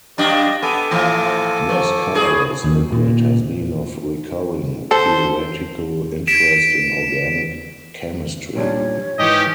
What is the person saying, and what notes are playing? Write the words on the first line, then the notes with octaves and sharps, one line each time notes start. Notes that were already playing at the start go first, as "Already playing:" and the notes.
This colourless liquid has been of recurring theoretical interest in organic chemistry.
F#2 D4 G4 D#5
B3 A4 G#5 D6
A2 E3 F3
F3
A2 G#4
D#2
A#2
A4 C5
B6 D7 E7
A#2 G3 D4 C#5
G#2 E3 C#4 G4 D#5